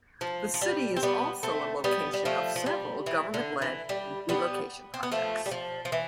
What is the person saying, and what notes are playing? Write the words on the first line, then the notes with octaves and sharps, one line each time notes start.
The city is also a location of several government-led relocation projects.
F3
F3
G3
C4
G3 B3
A3 C4
G3 B3
G3
F3 A3
F3
G3
E3
D3
E3
G3
G3 B3
C4
B3
F3 A3
G3
F3
F3
E3